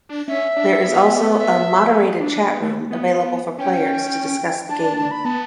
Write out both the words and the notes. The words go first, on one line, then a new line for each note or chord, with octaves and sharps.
There is also a moderated chat room available for players to discuss the game.
D4
C#4 E5
D4
B3
E5
A3
B3
D4
B3
A3
B3
C#4 G5
D4 A5
A5
A5
B5
B3 A5